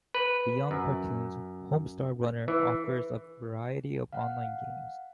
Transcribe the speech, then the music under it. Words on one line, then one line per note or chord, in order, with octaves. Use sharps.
Beyond cartoons, "Homestar Runner" offers a variety of online games.
B4
F#2
E3
F5 F#5